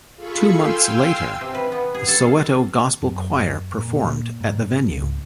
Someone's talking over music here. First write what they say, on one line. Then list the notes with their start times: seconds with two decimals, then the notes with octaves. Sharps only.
Two months later, the Soweto Gospel Choir performed at the venue.
0.16 F4 G#4 A4 B5 C#6
0.52 F5 G5 G#5 C6 E6
1.41 C3
1.55 B4
1.72 B3
1.94 G#4
2.08 A4
2.22 F5
3.02 F#2
3.74 A#2
4.41 G#2
4.90 C#2